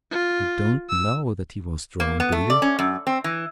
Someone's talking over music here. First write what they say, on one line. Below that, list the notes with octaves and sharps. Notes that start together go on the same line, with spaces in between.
You don't KNOW that he was drowned, do you?
F4
E6
A#3
B3
A3
D5
C#4
F#2
C4
E3